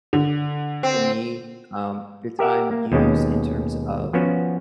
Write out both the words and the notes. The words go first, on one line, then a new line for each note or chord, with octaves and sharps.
for me, um, the time used in terms of,
D3
C4
G4 A#4 E5 F#5
A#3
D#2 B2 G#3 C#4
F3 B3 C#4 F#4